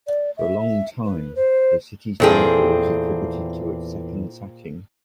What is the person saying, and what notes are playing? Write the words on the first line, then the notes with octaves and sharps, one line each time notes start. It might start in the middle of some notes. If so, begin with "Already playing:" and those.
For a long time, the city's downfall was attributed to its second sacking.
D5
E5
B4
C5
E2 A#2 C4 G#4 A4 G5